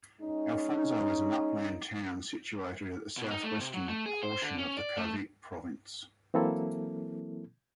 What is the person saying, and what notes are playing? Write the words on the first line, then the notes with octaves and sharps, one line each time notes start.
Alfonso is an upland town situated at the south-western portion of the Cavite province.
G#3 C#4 D#4
B2
D#4
A3
C3
F#3
A3
G#4
C5
D3
C#4
D5
A3
E3 F#3 A#3 C4 E4 A4